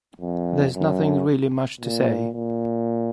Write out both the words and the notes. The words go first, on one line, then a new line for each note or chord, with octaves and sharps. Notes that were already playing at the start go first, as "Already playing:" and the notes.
There's nothing really much to say.
F2
F#2
A#2
A#2